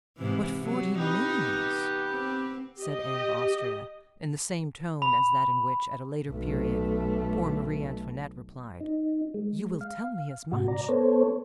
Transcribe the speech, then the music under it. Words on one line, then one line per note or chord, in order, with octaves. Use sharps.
"But forty millions!" said Anne of Austria, in the same tone as that in which, at a later period, poor Marie Antoinette replied, "You will tell me as much!"
G#2 C3 E3
C3 F#3
B3 D#4 G4
C4
G4 D#5
B5
B1 A3
D#4
G#3
F5
G#2 C3 F#4
D5 A#5
B3 A4 C5 C#5